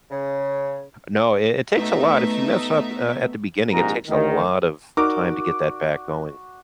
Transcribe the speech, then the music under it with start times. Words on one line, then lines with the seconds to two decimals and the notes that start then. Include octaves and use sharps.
No. It it takes a lot, if you mess up, uh, at the beginning, it takes a lot of time to get that back going.
0.11 C#3
1.77 B2 A3 D#4 E5
3.72 A#1 G#2 C3 A#4 A#5
4.08 D2 D#3
4.97 D#4 F#4 A#4 D5 D6